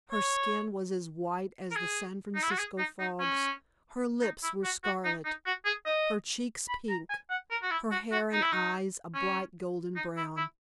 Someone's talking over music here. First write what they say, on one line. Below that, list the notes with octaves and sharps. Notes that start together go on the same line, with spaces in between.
Her skin was as white as the San Francisco fogs, her lips were scarlet, her cheeks pink, her hair and eyes a bright golden brown.
C#5
A#4
G#4
D#4
E4
F#4
G#4
D#4
D#4
C#4
D#4
E4
F#4
F#4
D#4
D#4
F#4
G#4
D#5
B5
A#5
G#5
F#5
A#4
F#4
E4
F#4
F#4
D#4
E4
D#4
C#4
D#4
E4
E4